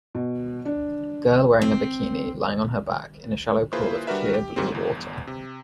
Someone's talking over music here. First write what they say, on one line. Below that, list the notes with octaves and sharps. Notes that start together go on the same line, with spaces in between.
Girl wearing a bikini lying on her back in a shallow pool of clear blue water.
B2
D4
C4
A#3 E4 F4 G#4 B4 C5
G3 D4 F#4 A#4 B4 E5
G4
D#2 G#2 G3 C4
G1 E2
C3